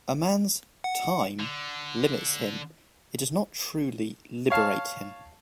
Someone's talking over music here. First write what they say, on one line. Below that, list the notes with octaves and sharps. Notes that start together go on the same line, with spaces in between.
A man's "time" limits him, it does not truly liberate him.
F#5
D3
C#5 F5 A5